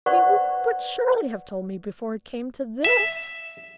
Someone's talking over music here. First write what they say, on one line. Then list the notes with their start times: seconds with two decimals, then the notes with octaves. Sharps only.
'He would surely have told me before it came to this.'
0.06 B4 C5 D5 F#5 C#6
2.84 E5